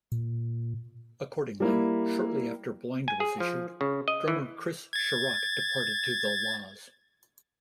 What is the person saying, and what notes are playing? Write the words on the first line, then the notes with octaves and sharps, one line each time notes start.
Accordingly, shortly after "Blind" was issued, drummer Chris Sharrock departed to The La's.
A#2
G3 A#3 E4
G#5
G#4
F3
C#3
D#5
E3
G#6 A6